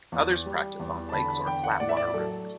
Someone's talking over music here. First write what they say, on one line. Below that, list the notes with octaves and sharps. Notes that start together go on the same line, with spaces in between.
Others practice on lakes or flatwater rivers.
E2
G3
E2
A5
D3 B5
B5
E2 G5
F#5
A2 D5
E5
D5
F#3 A4